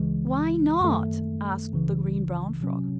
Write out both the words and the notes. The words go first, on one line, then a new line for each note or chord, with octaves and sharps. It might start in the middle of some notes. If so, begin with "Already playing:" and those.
"Why not?" asked the Green Brown Frog.
Already playing: C#2 C#3 E3 G#3
F#2 D#3 A3
C#2 C#3 E3
C3 F#3 C#4